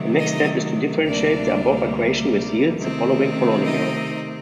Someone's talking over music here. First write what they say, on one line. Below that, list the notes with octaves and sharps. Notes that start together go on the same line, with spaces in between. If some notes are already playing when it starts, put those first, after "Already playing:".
The next step is to differentiate the above equation which yields the following polynomial.
Already playing: C3 D#3 F#3 A3
D#4 D#5
D2 C3 G3 A#3 D4 D5
C3 D#3 A3 C4
D#4 D#5